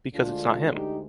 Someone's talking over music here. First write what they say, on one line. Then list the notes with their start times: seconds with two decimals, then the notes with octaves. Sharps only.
Because it's not him.
0.13 D2 D3 G#3 D4 F4
0.72 D#4 G4